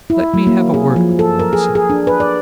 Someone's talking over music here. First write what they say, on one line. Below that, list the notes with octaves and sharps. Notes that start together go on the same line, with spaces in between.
Let me have a word with you outside.'
E4
F#3
A#3
G#4
F3
A4
A#4
G#4
G#4
D4
B4
D5